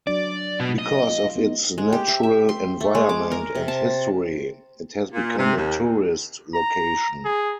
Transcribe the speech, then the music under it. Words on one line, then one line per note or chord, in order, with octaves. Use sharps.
Because of its natural environment and history, it has become a tourist location.
F#3 D4 D5
B2
D#5
F4
B3 D#4
G#3
G4
E5
E5
C6
A3
G#3
D6
A#4
C3
A5
A#2
C3
D#2
A#5
G#4